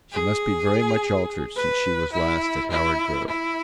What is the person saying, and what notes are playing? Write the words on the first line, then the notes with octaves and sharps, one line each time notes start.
She must be very much altered since she was last at Howard Grove.
G#4
B4
E4
E4
E4